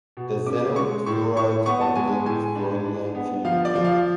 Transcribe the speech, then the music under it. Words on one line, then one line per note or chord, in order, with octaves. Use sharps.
The xenon fluorides are good fluorinating agents.
B2
C#4 D6
G#3 C#6
A2 C#6
A2 C#6
B3 C#6
A5
G#3 G#5
A2 G#5
D4
D4
B3
F3 F5
D5
F3
F5